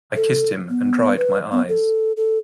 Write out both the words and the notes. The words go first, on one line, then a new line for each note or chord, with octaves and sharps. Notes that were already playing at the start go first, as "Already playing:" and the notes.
I kissed him and dried my eyes.
A4
B3
B4
B3
A4
A4